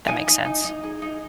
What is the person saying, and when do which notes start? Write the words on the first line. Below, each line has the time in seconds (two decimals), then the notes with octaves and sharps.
That makes sense.
0.08 D#4 G#5
0.27 D#4
0.45 D#4
0.65 D#4
0.84 G#4
1.02 D#4